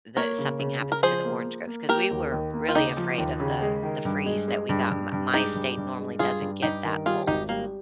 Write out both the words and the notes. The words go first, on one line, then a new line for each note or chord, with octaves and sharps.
that something happens to the orange groves. 'Cause we were really afraid of the the freeze that we got. M my state normally doesn't get that cold.
A#3 A#4 C#5
C#3
C#3
C#3
A#4
F3 G#4 C5
A#3
A#3
A#3
A#3 G4 A#4
D#2
D#2
A#3
F4
C#3 D#4 G4
F3
D#2
C#3
G#3
D#3
G2
G#3
G#3
G2
G2
G2
G#3 D#4 G4
G2
G2
G#3
G2 F4 G#4
G2
G2 D#4 G4
D#3
G3 F4 G#4
G#1 D#4 G4
G3 A#3